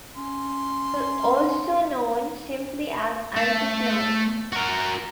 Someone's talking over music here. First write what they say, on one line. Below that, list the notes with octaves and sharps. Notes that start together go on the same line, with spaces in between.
Also known simply as "anti-snipe".
C#4 C6
A3
F#4 A#4